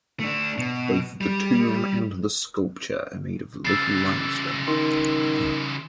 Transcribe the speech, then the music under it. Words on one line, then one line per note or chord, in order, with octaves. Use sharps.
Both the tomb and the sculpture are made of local limestone.
A3 D4
B2
G3
C#3 E3 E6 A6 C7
D#3 C6